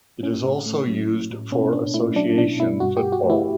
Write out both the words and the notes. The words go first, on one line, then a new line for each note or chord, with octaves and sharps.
It is also used for Association Football.
A2 C#4
A2
A3
F#3
A2
A2
B2 C#4
B2 D4
A3 E4
F#3 D4
B2 D4
B2 E4
G2 F#4
G2 G4
F#4
A3
E4